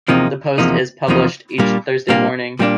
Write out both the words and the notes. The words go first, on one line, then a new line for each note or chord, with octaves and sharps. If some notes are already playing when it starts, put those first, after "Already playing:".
The Post is published each Thursday morning.
E2 C3 F3 A#3 D#4
E2 C3 F3 A#3 D#4
E2 C3 F3 A#3 D#4
A#2 G3 A#3 D4
A#2 G3 A#3 D4
A#2 G3 A#3 D4